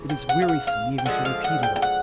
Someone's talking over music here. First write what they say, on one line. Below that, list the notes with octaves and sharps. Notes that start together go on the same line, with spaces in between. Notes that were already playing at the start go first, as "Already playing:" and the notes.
It is wearisome even to repeat it all!
Already playing: C#3 E3
G5
F#5
F5
F#5
F5
G5
D3 F3 G#3 F#5
F5
F#5
G5
G5
F#5